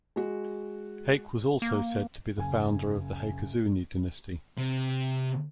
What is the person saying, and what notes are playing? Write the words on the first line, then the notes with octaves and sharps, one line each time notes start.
Hayk was also said to be the founder of the Haykazuni Dynasty.
G#3 F#4
A#3
F#1 G#5
C3